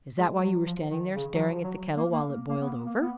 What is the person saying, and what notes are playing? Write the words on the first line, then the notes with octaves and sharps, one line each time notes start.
"Is that why you were standing there staring at the kettle while it boiled over?"
G#3
F#3
F3
D#3
C#3
F#3
F3
F#3
A#3
A#3
A#3
B3
A#3
B3